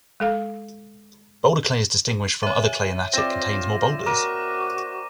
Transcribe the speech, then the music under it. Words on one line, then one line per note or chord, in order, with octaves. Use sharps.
Boulder clay is distinguished from other clay in that it contains more boulders.
G#3 A4 F5
C#5 E5 G#5 D#7
C4 F4 D5 A#6 E7
F#4 A#4 D6 D#7